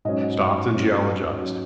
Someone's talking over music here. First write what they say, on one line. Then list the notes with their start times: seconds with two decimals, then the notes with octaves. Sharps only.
Stopped and geologised.
0.05 G#2 F#3 C#4 D#5
0.71 G#2 F#3 C#4
1.37 F#3 C#4